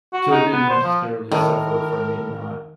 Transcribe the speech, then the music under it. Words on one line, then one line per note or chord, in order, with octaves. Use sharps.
So, it didn’t necessarily suffer from me not
F#4
D#4
B3
C5
F3
A2 D#3 A#4